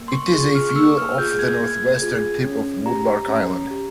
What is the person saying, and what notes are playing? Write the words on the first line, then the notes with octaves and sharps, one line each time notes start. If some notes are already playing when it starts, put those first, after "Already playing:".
It is a few off the northwestern tip of Woodlark Island.
Already playing: A#3
C6
C#6
F4 G#4 C#6
F6
C#6
A#3 E6
F6
F6
F4 G#4 G6
G#6
A#3 G#6
F4 G#4
C#4
G4 A#5
C#4
G4